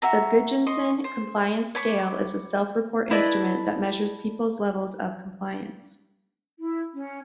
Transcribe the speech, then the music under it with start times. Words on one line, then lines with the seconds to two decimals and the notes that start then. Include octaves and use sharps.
The Gudjonsson Compliance Scale is a self-report instrument that measures peoples' levels of compliance.
0.02 F#4 E5 A#5
0.67 D#5 C6 C#6
1.04 C5
1.75 C#5 B5 D6
3.11 E4 A4 B4 D5 D#5
6.59 E4
6.93 C#4